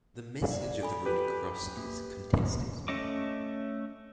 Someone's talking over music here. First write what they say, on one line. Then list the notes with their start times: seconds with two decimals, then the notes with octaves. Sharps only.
The message of the runic cross is contested.
0.51 D5
0.82 A4 G#5 B5
1.05 G4 B4
1.77 A#3
2.88 A3 C#4 D#5 D6